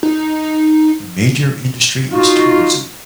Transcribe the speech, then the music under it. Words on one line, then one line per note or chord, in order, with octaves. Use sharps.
The major industry is tourism.
D#4
D#4 F4 F#4